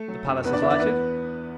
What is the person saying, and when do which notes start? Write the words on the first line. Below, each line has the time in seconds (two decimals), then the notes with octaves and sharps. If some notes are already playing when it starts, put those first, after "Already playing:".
The palace is lighted.
Already playing: A3 A4
0.08 F#3
0.27 F#2
0.44 E2 B3 B4
0.53 D4 D5
0.62 E3 E4 E5
0.70 D4 D5
0.80 E3 B3 B4